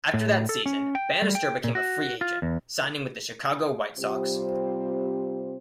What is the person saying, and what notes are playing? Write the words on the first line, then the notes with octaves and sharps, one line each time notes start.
After that season, Bannister became a free agent, signing with the Chicago White Sox.
A2
A4
C#4
G5
G3
G5
A#2
F#4
F4
E2
C3 G3 C4 F4 G4 C5